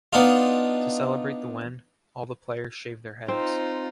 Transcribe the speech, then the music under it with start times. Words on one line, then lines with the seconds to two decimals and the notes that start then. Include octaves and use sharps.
To celebrate the win, all the players shaved their heads.
0.13 B3 D4 D#4 F4
3.28 C4 D#4 F4